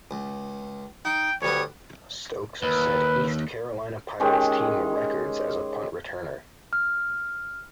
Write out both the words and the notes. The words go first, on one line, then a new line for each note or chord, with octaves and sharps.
Stokes set East Carolina Pirates team records as a punt returner.
C#2
D#4 G5
D2 G3 B3 C#5
D#2 B4
D#3 G#3 C#4 G4
F6